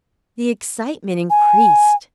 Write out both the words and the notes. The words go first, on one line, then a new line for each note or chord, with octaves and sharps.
The excitement increased.
G#5